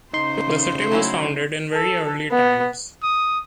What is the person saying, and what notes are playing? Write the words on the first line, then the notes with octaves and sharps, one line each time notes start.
The city was founded in very early times.
C#3 D#4 C5 C6
F#3 C#4 E4
A4
B3
D#6